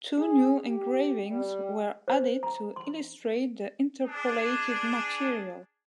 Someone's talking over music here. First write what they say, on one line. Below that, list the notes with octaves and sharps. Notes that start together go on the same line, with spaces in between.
Two new engravings were added to illustrate the interpolated material.
G#4
G4
G3
C5
A#5
C6
D4 G#4